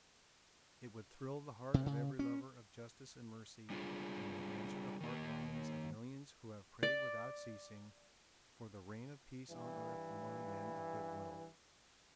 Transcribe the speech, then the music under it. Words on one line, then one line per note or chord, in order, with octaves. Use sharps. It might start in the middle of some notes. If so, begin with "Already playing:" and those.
It would thrill the heart of every lover of justice and mercy and would answer the heart longings of millions who have prayed without ceasing for the reign of peace on earth among men of good will.
C3
C#3
C#4
G3 D4 F4 G#4
D#3 A#3
D5
G2 E3